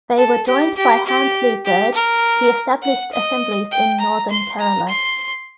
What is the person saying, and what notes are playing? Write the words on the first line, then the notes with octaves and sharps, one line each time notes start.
They were joined by Handley Bird, who established assemblies in Northern Kerala.
A4
G4
G4
G4
G4
A#4
F#5
D#5
G5
A#5
C6
A#5
C6